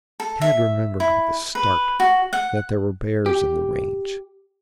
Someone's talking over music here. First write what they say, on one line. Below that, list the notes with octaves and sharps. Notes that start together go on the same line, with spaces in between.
Tad remembered with a start that there were bears in the range.
A4
E5
E4
B4
F#4
F#5
G4